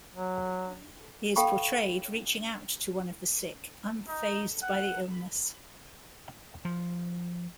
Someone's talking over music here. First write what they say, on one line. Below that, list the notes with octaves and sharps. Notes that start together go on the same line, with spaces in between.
He is portrayed reaching out to one of the sick, unfazed by the illness.
F#3
A4 F5 G5 B5 C#6
D#4
F#5
F3